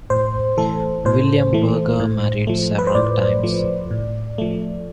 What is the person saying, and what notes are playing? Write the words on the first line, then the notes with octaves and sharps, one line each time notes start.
William Berger married several times.
A2 C5
E3 A3 A4
A2 C5
E3 A3
A2
F3 A3
B4
C5
A2 D5
F3 A3
A2
F3 A3